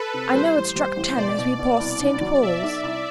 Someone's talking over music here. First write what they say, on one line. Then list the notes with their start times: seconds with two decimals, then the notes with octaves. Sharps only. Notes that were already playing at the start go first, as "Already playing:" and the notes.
"I know it struck ten as we passed St. Paul's."
Already playing: A4 B4
0.14 C3
0.34 G3 C5
0.56 A1
0.76 G3
0.97 A1
1.17 B2 D5
1.38 B2
1.59 B2
1.80 C2
2.00 B1
2.21 F#3
2.42 B2 E5
2.63 B1
2.83 C2